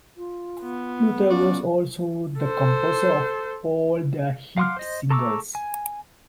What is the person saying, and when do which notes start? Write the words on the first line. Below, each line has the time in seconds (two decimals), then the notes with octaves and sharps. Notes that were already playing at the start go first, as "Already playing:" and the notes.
Luther was also the composer of all their hit singles.
0.17 F4
0.62 B3
1.29 C#4 F4 F#4 D5
2.40 A4 C5
4.58 F5 F#5 C6 D6 F6
4.77 C5 D#5
5.10 A4 A#5 C#6 D6 E6
5.55 G#5